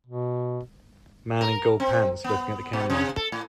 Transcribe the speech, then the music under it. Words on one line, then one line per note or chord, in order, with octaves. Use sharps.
Man in gold pants looking at the camera.
B2
A#4
C4
B3
B2
C3
A4
A2